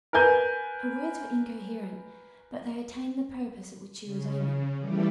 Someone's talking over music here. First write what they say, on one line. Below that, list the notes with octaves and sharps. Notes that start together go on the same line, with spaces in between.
Her words were incoherent, but they attained the purpose at which she was aiming.
A#4 B4 G#5 G6
C#3
E3 F3 G3 A3 G4